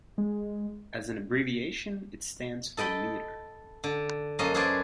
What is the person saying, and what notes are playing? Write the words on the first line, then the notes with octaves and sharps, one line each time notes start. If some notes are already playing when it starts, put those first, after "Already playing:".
As an abbreviation, it stands for metre.
G#3
A4 D#5 G5 B5
D3
F#2 A#3 C#4 A4 A#4 D#5
C#4 G#4 A4 B4 C5 D5